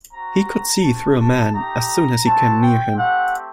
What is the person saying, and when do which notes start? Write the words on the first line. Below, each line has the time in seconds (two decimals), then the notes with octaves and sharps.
He could see through a man as soon as he came near him.
0.11 C4 F#4 A#5
0.82 C4 F#4 A5
1.18 A5
1.53 A3 D#4 G4 A#5
2.24 C4 F#4 A5
2.60 G5
2.96 A3 C4 G4 F#5